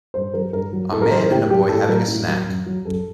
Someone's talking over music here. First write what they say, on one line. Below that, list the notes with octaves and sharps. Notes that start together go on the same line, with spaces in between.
A man and a boy having a snack.
G2 C5
F#3 A#4
G2 A#4
F#3
A2 A4
A#4
F#3 C5
A#4
A2 G4
F#3 G4
A2 A4
F#3 A#4
A2
F#3
F#2
F#3
F#2 A4